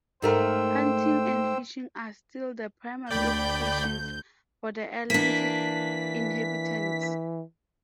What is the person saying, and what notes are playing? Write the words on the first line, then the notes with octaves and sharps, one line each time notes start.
Hunting and fishing are still the primary occupations for the island's inhabitants.
G#2 A3 A#4 C5 G5 E6
D2 D5 G5 B5 G6
E3 A#3 D4 B6